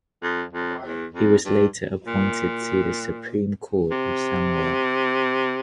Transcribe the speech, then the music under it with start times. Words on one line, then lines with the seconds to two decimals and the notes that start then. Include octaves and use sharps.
He was later appointed to the Supreme Court of Samoa.
0.23 F2
0.53 F2
0.84 E2
1.15 F2
1.45 G2
2.07 A#2
3.91 C3